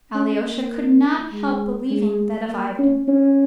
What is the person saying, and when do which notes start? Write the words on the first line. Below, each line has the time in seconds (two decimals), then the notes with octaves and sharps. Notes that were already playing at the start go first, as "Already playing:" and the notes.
Alyosha could not help believing that of Ivan.
0.15 C#4
0.45 A#3
1.32 G#3
1.91 G#3
2.49 A#3
2.79 C#4
3.08 C#4